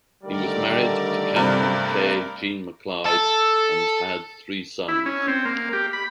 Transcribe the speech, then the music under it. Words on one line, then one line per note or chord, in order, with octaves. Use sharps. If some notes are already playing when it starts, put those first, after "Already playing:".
He was married to Katherine 'Kay' Jean MacLeod and had three sons.
D3 D#3 G3 A3 A#4 D5
G2 C3
A4
E4
C#4
C4
A#3
G4
B5